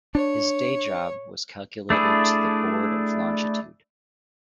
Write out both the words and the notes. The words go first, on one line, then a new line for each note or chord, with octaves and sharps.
His day job was Calculator to the Board of Longitude.
D4 C#5
A3 D4 E4 G#4